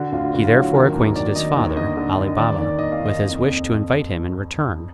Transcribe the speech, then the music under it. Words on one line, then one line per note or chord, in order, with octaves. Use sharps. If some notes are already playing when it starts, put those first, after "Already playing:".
He therefore acquainted his father, Ali Baba, with his wish to invite him in return.
Already playing: D3 F#4
D2 F4
D2 F#4
F4
F#3 F#4
D#3 A#4
D#2
D#2 D5
D#3 D#5
D#2
D3 D#5
D3
D#2
D#5
D#3 D5
D#2 D5
D#2 D#5
F5
D#2
D#5
F2
F2